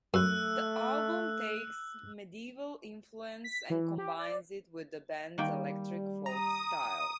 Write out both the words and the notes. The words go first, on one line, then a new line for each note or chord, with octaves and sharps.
The album takes medieval influence and combines it with the band's electric folk style.
F#2 A3 E6 F#6
B6
E3
G4
D5
D#3 G3 A#3 G5
A#5 D#6